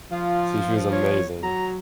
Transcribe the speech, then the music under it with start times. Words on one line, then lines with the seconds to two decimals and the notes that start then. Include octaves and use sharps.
Sushi is amazing,
0.12 F3 F4
0.93 C#5
1.43 F#3 A#5